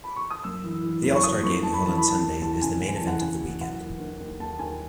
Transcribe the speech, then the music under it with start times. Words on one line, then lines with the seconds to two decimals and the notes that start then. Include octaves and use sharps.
The All-Star Game, held on Sunday, is the main event of the weekend.
0.04 B5
0.16 C#6
0.31 D#6
0.43 F#2 E6
0.64 E3
0.83 E3
1.03 F#2
1.16 C#6
1.23 E3 D#6
1.43 F#2 C#6
1.63 F#2 A5
1.74 B5
1.82 E3 A5
1.97 E3 B5
2.08 A5
2.23 E2
2.42 E2 A5
2.62 C#3 G#5
2.81 E2
2.88 G#5
2.95 A5
3.01 E2
3.07 F#5
3.21 C#3 G#5
3.41 E3
3.60 F#3 F#5
3.80 D#2
4.00 D#3
4.20 D#2
4.40 D#2 A5
4.59 D#2 G#5